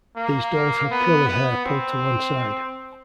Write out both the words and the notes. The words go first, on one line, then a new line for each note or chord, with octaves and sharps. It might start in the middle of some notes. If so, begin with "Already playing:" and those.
These dolls had curly hair pulled to one side.
A#3
B3
B3
C4